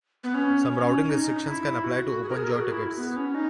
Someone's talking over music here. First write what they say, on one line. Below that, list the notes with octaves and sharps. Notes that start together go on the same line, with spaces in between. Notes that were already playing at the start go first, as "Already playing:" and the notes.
Some routing restrictions can apply to open-jaw tickets.
B3
C#4
C#4
C#4
D#4
E4
F#4
G#4
A#4
G#4
A#4
G#4
F#4
E4
B3
C#4
D#4